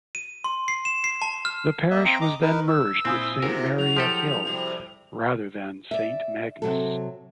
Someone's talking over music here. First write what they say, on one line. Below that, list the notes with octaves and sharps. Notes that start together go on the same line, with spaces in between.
The parish was then merged with Saint Mary at Hill rather than Saint Magnus.
D#7
C6
C7
E7
C7
A5
F6
A#3 D#5 E5
C4 G5 A#5
D#5 A#5 D6
D#4 A#4 B4
E6
A#2 C4 E4 F4 G#5 D#6
A2 C3 E4 F#4 G#4 A#4
F#3 F7
F3 G4 A4
C3 G3
D5 E5
C3 F#3 A4